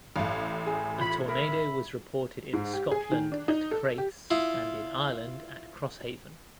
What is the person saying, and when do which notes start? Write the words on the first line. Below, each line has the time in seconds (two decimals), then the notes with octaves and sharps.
A tornado was reported in Scotland at Crathes and in Ireland at Crosshaven.
0.16 A1 A2 F5
0.66 G#4 G#5
0.99 F4 B5
1.28 A#4 E5 B5
2.53 G#2
2.73 G4
2.91 G#4
3.12 D#3
3.32 D4
3.48 D#4
3.71 A4
3.98 G4
4.31 E4 F4 D#6